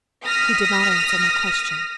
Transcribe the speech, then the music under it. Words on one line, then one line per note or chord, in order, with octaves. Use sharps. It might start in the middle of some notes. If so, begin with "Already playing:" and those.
"He did not answer my question."
D#6 F6 A#6 B6